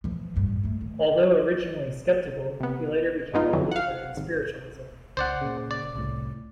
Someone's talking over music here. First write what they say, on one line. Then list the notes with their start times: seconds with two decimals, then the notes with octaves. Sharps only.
Although originally skeptical, he later became a believer in spiritualism.
0.04 E3 F3
0.36 A1 G2
0.64 G2 A3
0.81 D#3
2.60 C3 B3
3.33 G2 G#3 B3 D#4 F4
3.53 F2 D3 E3 F#3
3.71 F5 F#5
4.17 G#1
5.17 C#2 C5 D5 F#5
5.41 A#2 C#3
5.71 D5
5.95 C2 A2